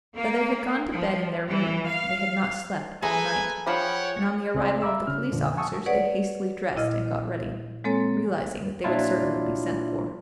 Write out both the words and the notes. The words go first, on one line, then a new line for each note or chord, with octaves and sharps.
Though they had gone to bed in their room, they had not slept all night, and on the arrival of the police officers they hastily dressed and got ready, realizing that they would certainly be sent for.
A#3
F3
E3
F5
G#4 A4 B4 G#5 A#5
F3 C#5 F#5 G5 B5
C#2 C4 G#4 D5 C6
E5 F5 A#5 B5 D6 E6
C#3 C#4 F6
F2 A#2 D3 F3
F#5 G#5 A5 C#6 D#6 E6
G#4 B4 C#5 D5 F#5
A#2 E4 D#5 F6
F3 G#3 A#3 C4 A4 C#5
A#2 F#3 D4 E4 F4